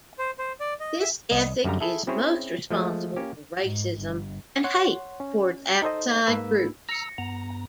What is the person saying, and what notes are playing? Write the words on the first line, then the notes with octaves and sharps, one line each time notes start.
This ethic is most responsible for racism and hate towards outside groups.
C5
C5
D5
D#5
E5
C2 D#5
F#2 D3 G3 F5 A#5
E4 G#4 A4 E5
C4 C#4 E4 G#4 C5 C#5
F3 G#3 A3
A#3 C#4 G4
G#2
G1
C#5 F#5 C6
C#4
D#4 A4 C5 D#5
G#2 A#3 B4 B5 E6
A#5 E6 A#6 C#7
G2 B3 A#5